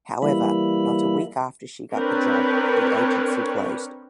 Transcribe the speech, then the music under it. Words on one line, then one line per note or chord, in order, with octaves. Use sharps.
However, not a week after she got the job, the agency closed.
E3 G3 A#3 E5 B5
C4 D4 A#4 B4 C#5